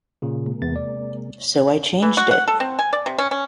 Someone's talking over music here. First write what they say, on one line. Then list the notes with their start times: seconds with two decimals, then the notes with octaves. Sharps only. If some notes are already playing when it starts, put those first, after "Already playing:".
So I changed it.
0.22 A#2 C#3
0.46 C3 G#3 A#3
0.62 E2 B3 A6
0.76 D5
2.02 E3
2.17 F#4
2.31 F#5
2.48 A4
2.60 C4
2.79 G#5
2.93 D5
3.06 C3
3.18 C#4
3.31 C#4